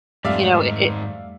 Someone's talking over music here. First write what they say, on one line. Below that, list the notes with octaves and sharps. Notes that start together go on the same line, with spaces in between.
you know? I it
F2 G#2 D#3 G3 A3 D5 E5 F5